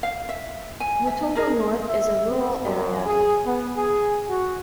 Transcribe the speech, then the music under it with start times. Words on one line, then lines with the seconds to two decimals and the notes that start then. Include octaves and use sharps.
Mutoko North is a rural area.
0.03 F5
0.29 E5
0.80 G#5
1.07 E5
1.35 D#4 G#4 A#4
1.87 E5
2.30 C4
2.64 F#2
3.06 G#4
3.46 B3
3.77 G#4
4.29 F#4